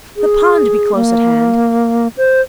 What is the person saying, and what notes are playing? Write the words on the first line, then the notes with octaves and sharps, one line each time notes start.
The pond be close at hand.
G#4
A#3
C5